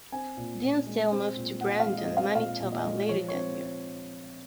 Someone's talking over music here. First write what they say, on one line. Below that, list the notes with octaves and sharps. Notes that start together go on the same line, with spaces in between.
Dinsdale moved to Brandon, Manitoba later that year.
C4 G#5
A#2
A#2
G#3
C4
A#2
A#2 F#5
F5
G#3
D#5
C4
F5
A#2 F5
A#2
D#5
G#3
F3 C#5
C#5
C4